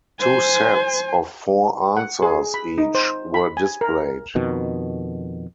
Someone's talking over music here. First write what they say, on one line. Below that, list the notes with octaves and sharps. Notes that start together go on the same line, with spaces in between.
Two sets of four answers each were displayed.
C5 G#5
F#5
G#4
B5
D#4
C5
B5
G#5
A#4
F2 B2 D#3